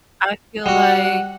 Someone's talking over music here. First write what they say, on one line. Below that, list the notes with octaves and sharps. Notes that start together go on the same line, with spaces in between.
I feel like
G3 F#4 F#5